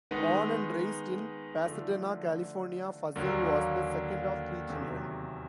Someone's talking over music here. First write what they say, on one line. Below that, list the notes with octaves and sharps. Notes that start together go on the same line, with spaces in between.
Born and raised in Pasadena, California, Fussell was the second of three children.
D#3 G#3 B3 D#4
D3 F3 A3
D#2 D3 F#3 A#3
E2 C3 D#3 F#3